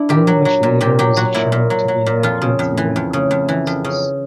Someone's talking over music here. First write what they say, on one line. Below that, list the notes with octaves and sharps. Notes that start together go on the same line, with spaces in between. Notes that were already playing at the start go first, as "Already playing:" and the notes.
Only much later was it shown to be an accurate theoretical analysis.
Already playing: D4 E4
A#2 G4
F#3
F#3
A#2
A#2 G4
F#3 G4
F#3 F#4
A#2 E4
A#2
F#3
F#3
A#2
F2 F4
C#3
F2
E3
F2
C#3
F2
E3
F2
C#3